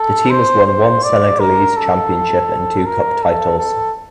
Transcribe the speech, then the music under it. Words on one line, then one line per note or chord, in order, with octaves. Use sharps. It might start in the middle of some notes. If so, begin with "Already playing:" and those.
The team has won one Senegalese championship and two Cup titles.
Already playing: A4
C5
C5
D5
A#4
A4
A#4
A4
A4